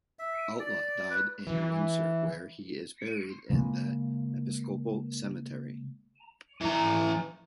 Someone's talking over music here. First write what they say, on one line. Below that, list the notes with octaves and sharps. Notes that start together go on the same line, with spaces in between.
Outlaw died in Windsor, where he is buried in the Episcopal Cemetery.
E5
D5
B4
E3
C#3 G#3 A#3
E3 A#5